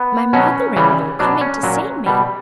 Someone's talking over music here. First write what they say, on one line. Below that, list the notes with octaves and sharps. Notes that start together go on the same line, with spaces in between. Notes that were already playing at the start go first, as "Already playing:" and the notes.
My mother-in-law coming to see me!
Already playing: B3
B2 F#3 C#4
C#3 E3 G3
B2 F#3 D4
C#4
A#2 F#3
B2 G3